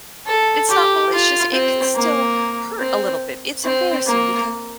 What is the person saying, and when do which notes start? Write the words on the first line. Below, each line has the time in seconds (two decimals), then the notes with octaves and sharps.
it's not malicious, it can still hurt a little bit. It's embarrassing because,
0.27 A4
0.69 G4
1.11 F4
1.53 C4
1.95 A#3
2.80 C4
3.64 C4
4.06 A#3